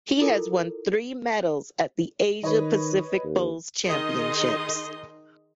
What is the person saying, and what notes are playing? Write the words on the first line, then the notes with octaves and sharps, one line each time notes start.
He has won three medals at the Asia Pacific Bowls Championships.
E4 F4 A4 A#4
D#3 B4 C#5 D#5
D#2
D#3 D#4 G#4 D#5 C6